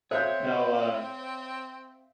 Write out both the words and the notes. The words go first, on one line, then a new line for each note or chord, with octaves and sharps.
No, uh,
C4 A4 C5 C#5 E5 F5 G6